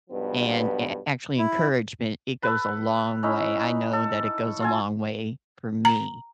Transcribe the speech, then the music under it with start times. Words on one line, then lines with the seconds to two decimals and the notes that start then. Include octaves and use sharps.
and a actually encouragement, it goes a long way, I know that it goes a long way for me.
0.10 B1 G2 F3 B3
1.38 E4
2.43 A4 B4
3.23 C#4 D#4 E4
3.93 A4
4.60 F4 A4 G#5
5.85 A#5